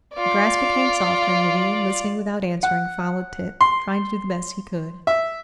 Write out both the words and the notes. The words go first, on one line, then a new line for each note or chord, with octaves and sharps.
The grass became softer, and Levin, listening without answering, followed Tit, trying to do the best he could.
F4 D5
F#5
C6
E5